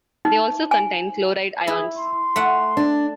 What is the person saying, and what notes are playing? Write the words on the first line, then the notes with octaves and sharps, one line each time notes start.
They also contain chloride ions.
D#4
G#5
E4 G#4
C6
A3 F#5
D4